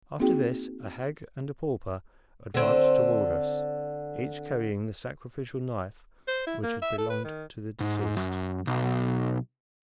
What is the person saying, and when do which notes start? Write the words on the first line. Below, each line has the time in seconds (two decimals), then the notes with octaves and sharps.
After this a hag and a pauper advanced toward us, each carrying the sacrificial knife which had belonged to the deceased.
0.20 A#3 C4 D#4 F#4 G#4 G5
2.54 D3 C4
6.28 C5
6.47 E4
6.63 A#3
6.82 E5
6.98 A4
7.10 B4
7.24 D#3
7.80 G#2
8.17 F#2
8.67 B1